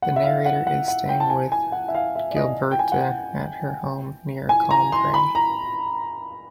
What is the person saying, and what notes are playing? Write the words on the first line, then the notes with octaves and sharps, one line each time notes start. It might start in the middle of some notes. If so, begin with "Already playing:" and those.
The Narrator is staying with Gilberte at her home near Combray.
F#5
E5
F5
F#5
F#5
F#5
G5
A5
G#5
G#5
F#5
E5
F5
E5
D5
D#5
G5
G#5
F#5
G5
G#5
A#5
C6
B5
A#5